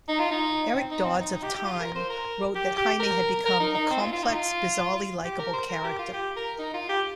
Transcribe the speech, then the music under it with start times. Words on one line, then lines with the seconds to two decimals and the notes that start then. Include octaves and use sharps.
Eric Dodds of "Time" wrote that Jaime had become "a complex, bizarrely likable character".
0.08 D#4
0.19 F4
0.31 D#4
0.75 C4
0.91 D#4
1.05 C4
1.21 D#4
1.32 D#4
1.43 G4
1.55 G4
1.65 F4
1.80 A#4
1.96 C5
2.10 A#4
2.55 G4
2.78 G4
3.00 A#4
3.45 A#4
3.60 D#4
3.74 D#4
3.90 C4
4.01 F4
4.13 F4
4.23 D#4
4.34 F4
5.24 G4
5.39 A#4
5.54 C5
5.69 A#4
5.84 G4
5.99 F4
6.14 G4
6.37 A#4
6.59 D#4
6.74 F4
6.89 G4